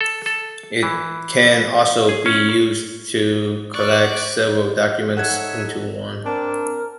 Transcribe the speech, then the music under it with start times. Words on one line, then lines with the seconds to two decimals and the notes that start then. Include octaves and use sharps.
It can also be used to collect several documents into one.
0.01 A4
0.26 A4
0.83 E3
2.09 G#4
2.26 C#4
3.74 D5 C#6 F#6
5.17 D#4 A4 C#5 E5 F#5 F#6 G#6
6.24 C4 D4 A#4